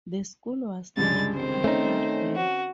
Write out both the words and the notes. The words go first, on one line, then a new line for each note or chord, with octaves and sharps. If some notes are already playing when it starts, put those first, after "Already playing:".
The school was named after Rev.
C#2 G2 D3 G#3 A6
D#3 C4 C5
A3 C#4 D#4
F#4